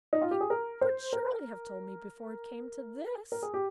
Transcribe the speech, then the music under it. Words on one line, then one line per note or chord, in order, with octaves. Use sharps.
'He would surely have told me before it came to this.'
D#4
F4
G4
G#4
A#4
C5
A#4
A#4
G#4
G4